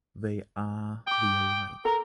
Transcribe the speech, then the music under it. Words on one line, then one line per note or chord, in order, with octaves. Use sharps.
They are the alike.
G5 D6 D#6
A4 A#4 A#5